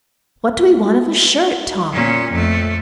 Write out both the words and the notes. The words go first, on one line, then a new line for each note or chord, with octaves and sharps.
"What do we want of a shirt, Tom?"
A#2 C#4
F2 A3